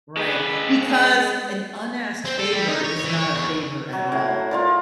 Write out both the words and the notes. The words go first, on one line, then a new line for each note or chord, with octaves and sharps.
Right, because an unasked favor is not a favor at all.
G#3 B4
C4
A4
G3
D#4
C#5
E3
C#5
E2
F#3
A2 F#5
F4 A#4 D5